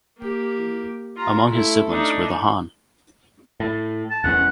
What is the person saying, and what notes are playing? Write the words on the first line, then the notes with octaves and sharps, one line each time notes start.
Among his siblings were the Hon.
A#3 G4
F4 A#5
A3 E4
D4 D#4
A2
A5
E1 E2 C#4 F#5